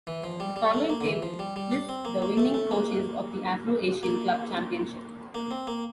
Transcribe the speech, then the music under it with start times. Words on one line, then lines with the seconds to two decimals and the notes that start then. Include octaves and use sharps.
The following table lists the winning coaches of the Afro-Asian Club Championship.
0.07 E3
0.24 F3
0.40 G3
0.56 G3
0.74 A3
0.90 A#3
1.01 D3
1.06 E3
1.23 F3
1.39 G3
1.56 G3
1.71 D4
1.89 C4
2.05 A#3
2.22 A#3
2.37 A3
2.54 A3
2.71 A#3
4.03 A#3
5.35 A#3
5.51 C4
5.67 A#3